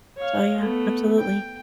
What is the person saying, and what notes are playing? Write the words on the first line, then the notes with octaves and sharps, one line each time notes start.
So, yeah, absolutely.
C#5 F5
A3 B3
G5